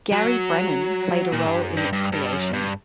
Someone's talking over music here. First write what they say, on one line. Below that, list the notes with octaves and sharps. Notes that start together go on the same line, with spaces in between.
Gary Brennan played a role in its creation.
F#3
A#2
G2
F#2
G2
G2
G2
F#2
G2